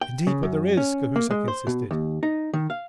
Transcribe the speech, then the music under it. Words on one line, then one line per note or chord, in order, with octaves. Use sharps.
"Indeed, but there is," Cahusac insisted.
G5
C#3
F#2
C#4
A#3
G#3
C5
B2
D#2
D#4
D#3
F5